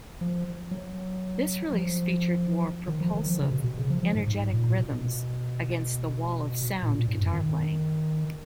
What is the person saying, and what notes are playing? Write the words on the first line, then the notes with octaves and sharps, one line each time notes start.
This release featured more propulsive, energetic rhythms against the "wall of sound" guitar playing.
F3
F#3
F3
D#3
F3
D#3
F3
C#3
B2
B2
C#3
F3
F3
G#2
G#2
A#2
B2
A#2
A#2
G#2
F#2
D#3